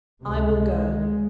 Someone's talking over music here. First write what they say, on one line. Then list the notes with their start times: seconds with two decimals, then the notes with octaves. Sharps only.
I will go.'
0.24 C#2 C3 G#3